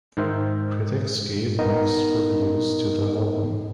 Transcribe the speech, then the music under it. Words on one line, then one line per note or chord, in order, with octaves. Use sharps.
Critics gave mixed reviews to the album.
G#2 D#3 D#4 A#4 C5 E5
B3 D#4 A#4 D#5